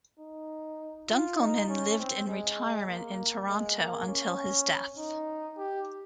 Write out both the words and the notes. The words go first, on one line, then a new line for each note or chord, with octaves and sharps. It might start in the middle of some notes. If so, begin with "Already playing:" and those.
Dunkelman lived in retirement in Toronto until his death.
D#4
F4
D#4
C#4
C4
G#3
A#3
G#3
A#3
C#4
D#4
G4